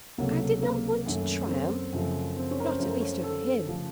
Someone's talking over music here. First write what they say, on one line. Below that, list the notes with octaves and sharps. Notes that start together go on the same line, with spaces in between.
"I did not want to triumph;--not at least over him."
C#2 C3 F#3 A3 A#3
A#3
F#2 D#3 F#3 A3
C4
F#2 C#3 F3 A3
C4
C#4
A#4
C5
F#2 F3 A3 C5
A#4
C#5
C5
A4
C#3 F3 A3